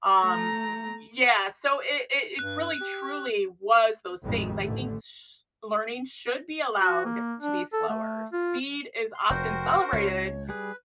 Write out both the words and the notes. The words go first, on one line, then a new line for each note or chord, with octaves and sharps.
Um, y yeah, so i i it really truly was those things. I think s learning should be allowed to be slower, speed is often celebrated,
A3 A#5
G2 F#6
G4
A1 F2 D#3 G3 G#3
A1 D3 A3
F#4
A#3
D4
A4
A3
F4
C6
F1 F#4 A#4 C5 G5 G6
C#2 C#5
G3 G#4 B4